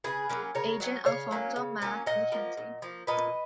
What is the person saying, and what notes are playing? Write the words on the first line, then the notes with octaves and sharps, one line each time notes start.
Agent Alphonso "Mack" MacKenzie.
C#3 G#4 B4
F#3 A#3 C#4
C#3 A#4 C#5
F#3 A#3 C#4
C#3 C#5 F5
F#3 A#3 C#4
C#3
F#3 A#3 C#4
A#2 D#5 F#5
F3 A#3
A#2
F3 A#3
A#2 B4 D#5